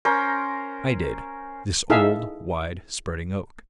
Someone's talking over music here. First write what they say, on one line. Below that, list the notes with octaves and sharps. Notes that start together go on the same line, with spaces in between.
'I did; this old wide-spreading oak.
C#4 A#4 C5
D#4 E4 G#4 A4 E5 F5